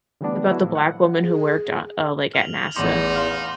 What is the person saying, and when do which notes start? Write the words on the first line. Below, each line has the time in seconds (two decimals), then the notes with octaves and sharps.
about the black woman who worked, uh, uh, like, at NASA?
0.21 D3 E3 G3 A3 B3 D4
0.48 F#3 G#3 B3 E4 F#4
0.62 A2 F3
0.75 F#5
1.22 G#4
2.34 F6 F7 F#7
2.76 A1 E2 D#4 C6 D6 F#7
3.16 F5 C6 F6